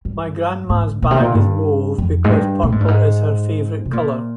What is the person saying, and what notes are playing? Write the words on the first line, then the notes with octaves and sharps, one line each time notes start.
My grandma's bag is Mauve because purple is her favourite colour.
G2
G#2
A#2
C3
A#2
G2
F2
G#2
G2
A#2
G#2
G2
G#2
C3
A#2